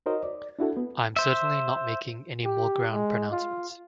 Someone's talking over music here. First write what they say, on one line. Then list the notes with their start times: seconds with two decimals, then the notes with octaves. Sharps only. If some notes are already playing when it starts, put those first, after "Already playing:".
I'm certainly not making any more grand pronouncements.
0.06 D#4 F#4 A#4 C5 C#5 D#5
0.23 D5
0.59 D4 E4 F#4 A4
0.77 B3
1.16 C5 E5
2.45 G4
2.91 G#3
3.32 F4